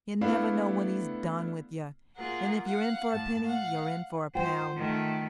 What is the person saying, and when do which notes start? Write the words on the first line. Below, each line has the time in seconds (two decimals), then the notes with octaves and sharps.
You never know when he's done with you, and if you're in for a penny, you're in for a pound.'
0.21 A3 B3 D4 E4 F5
2.16 A#3 F4 G#4 A#4 F#5
2.66 F5 F#5
3.11 A2 A5
3.44 F5 F#5
4.35 F4 C5 F#5 G5
4.77 D#3 A3